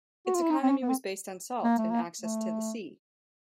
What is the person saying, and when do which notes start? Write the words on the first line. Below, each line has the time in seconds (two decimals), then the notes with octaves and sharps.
Its economy was based on salt and access to the sea.
0.26 F#4
0.34 F4
0.42 E4
0.50 D#4
0.63 C4
0.69 C#4
0.83 B3
0.88 C4
1.64 A#3
1.78 A3
1.91 A#3
2.21 A3